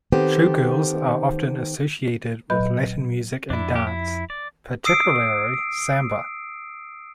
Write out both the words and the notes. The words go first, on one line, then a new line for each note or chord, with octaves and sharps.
Showgirls are often associated with Latin music and dance, particularly samba.
D#3 B3 C4 G4 A4 C5
A#2 F#3 B4 D#5 B5 G6
F2 D4 E4
A#3 G4
E4
D5
D#6 E6 C7 D7